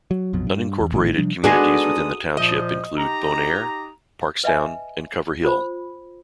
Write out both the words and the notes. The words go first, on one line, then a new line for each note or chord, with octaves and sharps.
Unincorporated communities within the township include Bon Air, Parkstown, and Cover Hill.
F#3
A#1 F2 B2 F#3
G2
E2
A#1 A2 D#3
C3 F3 G3 D4
G#3 B3 D4 D#4 F#4 G#4 A4 D#6
A#2 F3 D#5
D#4 G4 A#5
B4 D#5 E5 G#5
F4 C5 B5